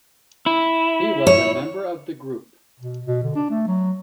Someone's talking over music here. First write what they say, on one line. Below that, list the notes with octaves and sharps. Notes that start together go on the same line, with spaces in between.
He was a member of The Group.
E4
C#5
B2
B2
D3
D4
A3
F#3